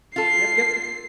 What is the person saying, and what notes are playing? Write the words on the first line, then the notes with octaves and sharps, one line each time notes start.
Yep, yep.
F4 A4 C7